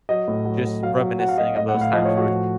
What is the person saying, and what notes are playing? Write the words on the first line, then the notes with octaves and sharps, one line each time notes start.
just reminiscing of those times were
F#3 D#5
A2
F#3
F#3
F#3 F5
F#3
F#3 F#5
F5
F#3 D#5
A2 D#5
F#5
A2
F5
F3 D#5
C#5
A2
F#4
F3